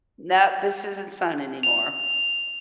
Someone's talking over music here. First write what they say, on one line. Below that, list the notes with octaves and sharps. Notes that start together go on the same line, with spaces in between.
"No, this isn't fun anymore."
F7